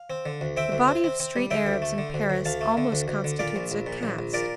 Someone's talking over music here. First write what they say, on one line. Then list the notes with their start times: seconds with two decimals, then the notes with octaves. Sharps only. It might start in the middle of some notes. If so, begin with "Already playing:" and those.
The body of street Arabs in Paris almost constitutes a caste.
Already playing: F5
0.10 C4
0.26 D3
0.41 D2
0.57 C4 E5 G5
0.72 D2
0.88 C4
1.04 C4
1.20 C4
1.36 G3
1.51 D3 E5 G5
1.66 D2
1.82 A3
1.98 D3
2.14 D2
2.30 D2
2.45 D2 F5 A5
2.61 A3
2.77 D3
2.92 D2
3.08 D2
3.24 D3
3.39 A#2 D5 F5
3.56 A#1
3.71 A#1
3.86 A#2
4.03 A#1
4.19 A#1
4.33 A#2 A#4 D5